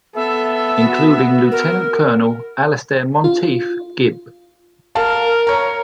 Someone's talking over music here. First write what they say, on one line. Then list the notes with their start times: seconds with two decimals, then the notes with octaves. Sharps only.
Including Lieutenant Colonel Alistair Monteith Gibb.
0.15 B3 A4 E5
0.85 F#4
1.52 A#4
3.24 F4
4.95 A#4 F5 A5
5.47 C#5 A#5